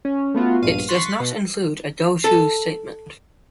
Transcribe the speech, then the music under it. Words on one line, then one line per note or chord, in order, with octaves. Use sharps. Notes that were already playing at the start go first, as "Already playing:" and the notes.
It does not include a goto statement.
C#4
A3 B3 F4 F#4
A#1 G2 F5 D#7
C6 C#6 F#6 A6 B6 C7
B2
A4